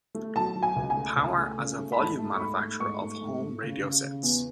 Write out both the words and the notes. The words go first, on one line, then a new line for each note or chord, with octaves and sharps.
Power as a volume manufacturer of home radio sets.
A3
F#3 A5
F#3
G#5
C#2
G#5
A3
C#2
A3
C#3
A3
B5
G#2 A5
A3
C#6
G#2 B5
A3
G#2 C#6
A3
G#2
A3
C#3
C#3
C#3
E2